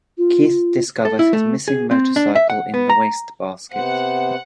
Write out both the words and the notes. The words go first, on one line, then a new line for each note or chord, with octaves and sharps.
Keith discovers his missing motorcycle in the wastebasket.
F4
A4
E4
A3
G#4
C4
D4
E5
F#5
B3
A#5
C3 B3 C5 F#5